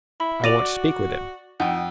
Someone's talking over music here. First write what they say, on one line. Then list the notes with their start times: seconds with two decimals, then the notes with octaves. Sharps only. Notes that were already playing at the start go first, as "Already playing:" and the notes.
"I want to speak with him."
0.20 E4 B5
0.44 F#4 D5 A6 A#6 D#7 F7
1.60 F2 D#4 F#5 G5